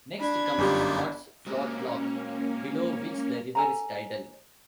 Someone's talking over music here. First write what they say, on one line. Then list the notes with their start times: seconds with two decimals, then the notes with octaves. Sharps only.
Next comes Scots Float Lock, below which the river is tidal.
0.19 D4 B5 G#6
0.58 G1 F#2 D#4 F4 G4
1.46 G#3 A#3 C#4 F#4
3.55 A4 G#5 A#5